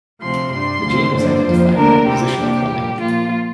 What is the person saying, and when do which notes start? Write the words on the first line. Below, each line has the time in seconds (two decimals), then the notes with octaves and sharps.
The gene was identified by positional cloning.
0.22 D2 C3 F3 C4 C6
0.52 G2 G3 D4 C6
0.84 D2 D3 F3 C4
1.15 G2 D3 A#3 D4 C5
1.46 F2 F3 A#3
1.77 D2 D3 A#3 D4 A#4
2.08 C3 G3 C4 G4
2.39 C3 A#3 D4
2.70 A#2 G3 A#3
3.01 A#2 F3 A#3 F4